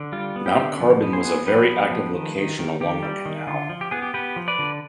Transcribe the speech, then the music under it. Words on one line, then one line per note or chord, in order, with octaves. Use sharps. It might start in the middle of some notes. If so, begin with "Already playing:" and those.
Mount Carbon was a very active location along the Canal.
Already playing: D3
G3 F4
B3
G4
D3
F3
B3
G#4 C5
B3
F3 G4 B4
B3
F3
D#3
D#3
D#3
D#3 G4
G3
D#3
D3 F4
F3
G4
B3 G#4
G4
B3 G4 B4
F3
B4 D5
D3